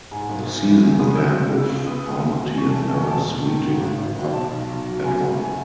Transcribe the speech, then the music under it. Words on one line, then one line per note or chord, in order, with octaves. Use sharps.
The season would end with Palmateer never suiting up at all.
G#2 G#5
G#1
G#1
E3
E2
F#1 D#6
F#3 E6
C#3
C#3
C#2
B3 D#6
G#3
B2
E2
E2 C#6
A5
A3
A5
E2 C#6
E1 A5
E1
D#3
G#2
G#1
G#1
F#3
B2 A5
B1
B1
F#3
F#2 G#5
F#1 F#5
A3 G#5